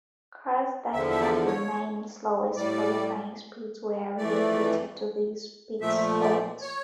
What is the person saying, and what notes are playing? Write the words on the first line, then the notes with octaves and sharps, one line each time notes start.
Cars that had the nine slowest qualifying speeds were relegated to these pit stalls.
E2 D3 F3 E5
E5
D5
C#5
A2 G3 D5
F2 E3 A3 D5
A#2 F3 A3 E5
D5
C#5